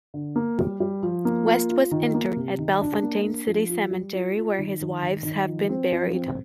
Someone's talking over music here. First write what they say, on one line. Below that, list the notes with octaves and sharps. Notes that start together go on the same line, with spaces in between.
West was interred at Bellefontaine City Cemetery, where his wives had been buried.
D3
A#3
G3
G3
F3
A#3
F4
F4
D#3
A#3
C3
D#3
D4
A#3
D4
F3
F4
G3
F4
F4
D#3
D#3
D#3
D#3
F3
C4
F3
C4